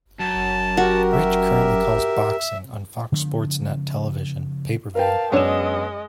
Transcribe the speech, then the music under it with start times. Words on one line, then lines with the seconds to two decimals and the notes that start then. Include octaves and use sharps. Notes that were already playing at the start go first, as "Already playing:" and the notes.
Rich currently calls boxing on Fox Sports Net television, pay per view.
0.19 F#2 A5
0.77 F#4 G4 A#4
1.12 E5
3.12 C#3 F3 A3 B3
4.95 A#4 B4 F5 G5 A5
5.32 F#2 G#3 B3 D4 C#5 D#5 E6 E7